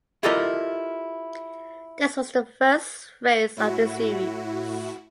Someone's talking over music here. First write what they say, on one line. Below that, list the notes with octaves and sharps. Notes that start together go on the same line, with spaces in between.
This was the first race of the series.
E4 F4 G4 A4 A#4 D#5
A2 E4 F#4